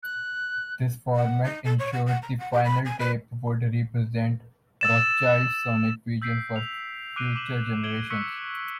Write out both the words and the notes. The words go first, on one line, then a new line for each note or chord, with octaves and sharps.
This format insured the final tape would represent Rothchild's sonic vision for future generations.
F#6
F#5
D#4
A4
C#5
F#5
F#5
A#5
F#5
G4
B5
G#5
B4
E6 A6 E7
E6 G6 B6 C7 D7
F7
D6 F#6 C7 D7 D#7 G7
D6 E7 F#7
G#6 D7 E7 F#7 G7
C#6 E6 F#6 B6 C#7